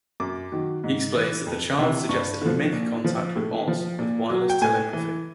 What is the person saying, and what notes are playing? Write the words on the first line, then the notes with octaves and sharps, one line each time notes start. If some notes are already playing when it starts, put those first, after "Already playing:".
He explains that a child suggested he make contact with Oz with wireless telegraphy.
F#2 D6
D#3 F#3
G#2
E3
F2
C3 E3
G2 C#6
D3 F3
A#2
F3
A2
F3
A#2
F#3
G5
A2 G#5
E3